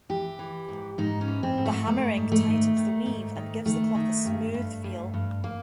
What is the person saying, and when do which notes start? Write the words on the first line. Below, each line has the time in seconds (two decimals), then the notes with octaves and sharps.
The hammering tightens the weave and give the cloth a smooth feel.
0.09 E3 G4
0.39 E3
0.69 G#2
0.98 G#2 D#4
1.21 C#4
1.28 E3
1.43 C4
1.58 G#2
1.65 A3
1.87 G#2 A3
2.17 G#2
2.32 A3
2.47 D#3
2.77 D#3
3.06 G#2
3.36 D#3
3.65 D#3 A3
3.95 D#3
4.25 G2
4.54 G2
4.84 G2
5.14 G2
5.44 A#3